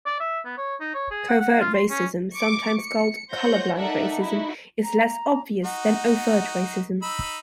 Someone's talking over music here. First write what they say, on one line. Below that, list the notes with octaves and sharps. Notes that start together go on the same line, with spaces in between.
Covert racism, sometimes called "color blind" racism, is less obvious than overt racism.
D5
E5
B3
C#5
D#4
C#5
G#4
F#5
F#5
F4
C6
C#4
C#6 D6
C#7
F4 C5 C#5 F#5 G6 A#6
D#4 A4 A#4 D5 E5 F#5
D#4 E4 F#4
A#5
D#4 F#4 F#5
D#4 B5 E6